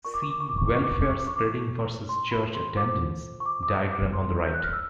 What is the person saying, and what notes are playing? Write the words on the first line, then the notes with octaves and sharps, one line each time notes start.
See "Welfare spending versus Church attendance" diagram on the right.
F4 A#4 D5 C#6
D6
C#6
D6
C#6
D6
C#6
D6
C#6
D6
C#6
D6
C#6
D6
C#6
D6
C#6
C6
B5
C6
F4 A4 C5 D6
C#6
D6
D6
D#6
D6
C6
G6
F#6
F6
E6